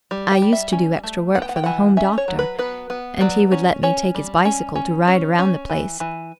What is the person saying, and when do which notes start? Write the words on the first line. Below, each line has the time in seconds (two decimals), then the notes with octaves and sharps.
I used to do extra work for the Home doctor, and he would let me take his bicycle to ride around the place.
0.11 G3
0.32 G5
0.42 G3
0.52 E5
0.72 C#4
1.03 A3
1.35 B3 F#5
1.42 G5
1.49 F#5
1.56 G5
1.64 E3 F#5
1.97 C#4 E5
2.18 C#5
2.28 F#3
2.39 B4
2.59 B3 B4
2.90 B3
3.20 F#3 D5
3.52 C#4
3.83 C#4 C#5
4.15 G3
4.45 C#4
4.75 C#4
5.08 C#4
5.38 C#4
5.70 E3
6.00 E3